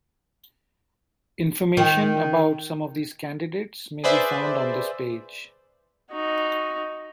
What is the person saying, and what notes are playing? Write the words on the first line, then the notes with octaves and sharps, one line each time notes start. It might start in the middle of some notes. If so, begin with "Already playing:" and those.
Information about some of these candidates may be found on this page.
D#3
G#4 B4 C5 D5 E5
D#4 F#4